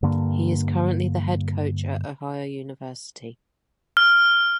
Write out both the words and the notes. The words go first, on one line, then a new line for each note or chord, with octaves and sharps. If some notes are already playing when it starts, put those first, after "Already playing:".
He is currently the head coach at Ohio University.
G2 D3 A#3
F6